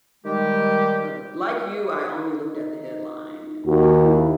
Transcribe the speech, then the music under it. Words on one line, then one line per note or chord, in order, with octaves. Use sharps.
but like you, I only looked at the headline and
D#3 G3 G#3 G4
D#4
D#2 F#4
E4